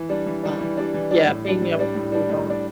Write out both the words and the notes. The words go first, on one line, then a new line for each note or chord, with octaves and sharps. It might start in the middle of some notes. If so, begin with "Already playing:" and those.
um, yeah, being able to move on.
Already playing: E3
G3 D4
E3
G3 D4
E3
G3 D4
E3
G3 D4
A2
G3 D4
A2
G3 D4
A2
G3 D4
A2
G3 D4